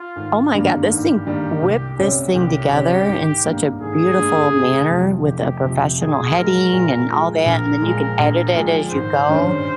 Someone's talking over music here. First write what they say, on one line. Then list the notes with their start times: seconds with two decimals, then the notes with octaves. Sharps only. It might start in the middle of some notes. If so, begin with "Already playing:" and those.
Oh my god, this thing whipped this thing together in such a beautiful manner, with a professional heading and all that, and then you can edit it as you go.
Already playing: F4
0.16 G#1
0.53 G2 D#3 G3 A#3
0.89 G#1 G4
1.25 G2 D#3 G3 A#3
1.62 C2
1.99 C3 G3 C#4
2.35 C2 G4
2.72 C3 G3 C#4
3.09 G#1
3.45 G2 G3 A#3
3.81 G#1 G#4
4.17 G2 G3 A#3
4.54 F1
4.90 F2 C3 F3
5.26 F1 G4
5.64 F2 C3 F3
6.00 A#2 G#4
6.36 F3 G#3 A#4
6.72 A#2
7.09 F3 G#3
7.45 A#1 A#4
7.82 A#2 F3 G#3
8.19 A#1
8.54 A#2 F3 G#3
8.91 G#1 C5
9.28 G2 D#3 G3 C#4